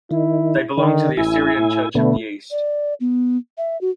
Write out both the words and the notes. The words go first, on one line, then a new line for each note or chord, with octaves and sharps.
They belong to the Assyrian Church of the East.
D#3 E4
D3 D#3
A1 E4 G#5
A2
B2 D3 A3 B3
D5
B3
E5
F#4